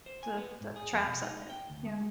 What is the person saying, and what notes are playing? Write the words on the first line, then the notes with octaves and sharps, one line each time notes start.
the the traps of it, you know?
C5
G#5
B3
G#2
G#4
F2
B2
D#4
G5
D2
G#3